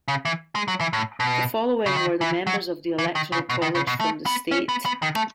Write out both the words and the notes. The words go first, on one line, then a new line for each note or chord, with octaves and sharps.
The following were the members of the Electoral College from the state.
C#3
E3
G#3
F#3
E3
A2
B2
C#3
D#3
E3
F#3
E3
D#3
C#3
B2
D#3
C#3
B2
A3
B3
C#4
B3
B3
D#3
A3